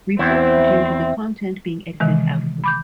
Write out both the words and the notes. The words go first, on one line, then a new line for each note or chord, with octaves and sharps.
Report due to the content being edited out of them.
E2 C4 E4 C5
C3 D#3 E3 G#3
B5 D6 G6